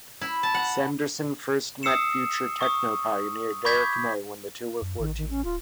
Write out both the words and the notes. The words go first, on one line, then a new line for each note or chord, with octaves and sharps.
Saunderson first met future Techno pioneer Derrick May when the two were fourteen.
E4
A5
F#5
D#6 E6 C7 C#7 E7
C#6 D#6
B5 C#6 D6 G6 G#6 B6
F#2
A1 D#3
D#3
C#4
D1 F4